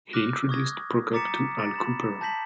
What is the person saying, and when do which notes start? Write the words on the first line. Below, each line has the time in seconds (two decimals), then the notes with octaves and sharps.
He introduced Prokop to Al Kooper.
0.13 D6 F6 F#6 A#6
0.49 C#6 D#6 G#6 A#6
1.13 A#5 D6 A6 B6 C#7 E7
1.59 A6 A#6
1.76 B5 E7
2.21 A5 G6 A#6 B6 F#7